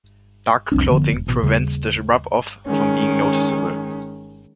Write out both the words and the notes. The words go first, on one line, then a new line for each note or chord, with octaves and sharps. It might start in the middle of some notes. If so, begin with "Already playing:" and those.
Dark clothing prevents the rub-off from being noticeable.
C2 F2 C4 D4
F1 D3 F3 B3
E1
A1 B2
D#2 C#3 G3
D#3 G#3 C#4